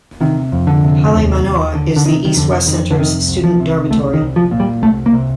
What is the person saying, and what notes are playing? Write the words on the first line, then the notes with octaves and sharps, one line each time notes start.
Hale Manoa is the East-West Center's student dormitory.
C3 D#3
F2
D3
C3
D#2
D#2
D3
D3
C3 D#3
D#3
F2 D3
F2 D#3
D3
C3 D#3
C2
F3
C3
C2 A3
D#3
C2
F3
A#2
G3
C2 A3
A#3
C3